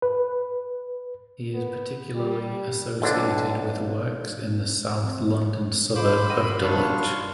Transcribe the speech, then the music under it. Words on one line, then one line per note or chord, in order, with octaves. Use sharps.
He is particularly associated with works in the south London suburb of Dulwich.
B4
B3
G3
B1 D3 D4
F2
F4 A4 C5 D#5 B5 D6
D#5 F5 F#5 D#7
A#2 D#3 F#3 G3 D4 F4 F5 C#6